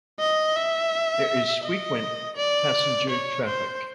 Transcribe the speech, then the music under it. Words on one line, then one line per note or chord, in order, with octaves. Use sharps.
There is frequent passenger traffic.
D#5
E5
D#5
D5
C#5
C5